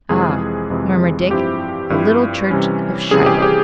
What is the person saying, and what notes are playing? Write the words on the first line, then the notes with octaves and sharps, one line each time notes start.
"Ah," murmured Dick, "the little church of Shiloh!"
F2 C3 E3 G#3 G#4
F2 C3 E3 G#3
G2 F3 C4 E4 G4
G2 F3 C4 E4
C3 E3 G3 C#4
C3 E3 G3 C#4 G#4
G4
G4